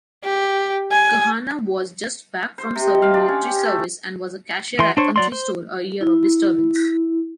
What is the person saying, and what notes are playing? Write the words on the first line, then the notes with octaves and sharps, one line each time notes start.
Lkhanaa was just back from serving military service and was a cashier at country store a year of disturbance.
G4
G#5
C5
C3
D#5
F5
D4
C#4
G4
A3
E3 C6
D4 C5 C#5
F#3 D5 C6
C5
E4